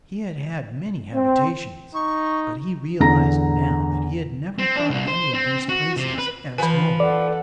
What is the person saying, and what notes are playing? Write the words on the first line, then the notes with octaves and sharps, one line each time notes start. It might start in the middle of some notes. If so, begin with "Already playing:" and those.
He had had many habitations, but he realized now that he had never thought of any of these places as home.
C4
D#4 C#6
E2 D3 A#5 A#6
C4
D4
C2
C5
C4
F#4
C3
B4
E3 F3 B4 G#5
A4 D5 F#5